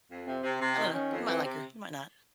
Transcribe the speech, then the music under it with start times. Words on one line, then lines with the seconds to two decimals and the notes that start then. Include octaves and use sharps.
I don't know. You might like her. You might not.
0.11 F2
0.27 C3 C4
0.44 C3
0.60 C3
0.77 D#3
0.94 D#3 C#4
1.11 F2
1.26 E3 C4
1.44 C3